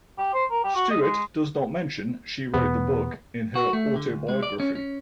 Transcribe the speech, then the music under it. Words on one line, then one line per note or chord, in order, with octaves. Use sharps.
Stuart does not mention "She Wrote the Book" in her autobiography.
G4
C5
A#4
G4
F#4
D#5
G#3
E2 B2 B3
F#4
A3
D3
D2
G#3
D5
C#4
C#4